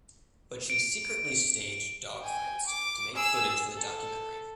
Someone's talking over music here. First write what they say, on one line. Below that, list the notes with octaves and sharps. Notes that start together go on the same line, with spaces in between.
But she secretly staged dogfights to make footage for the documentary.
D7
G5 G#5
D6
G#4 E6
A4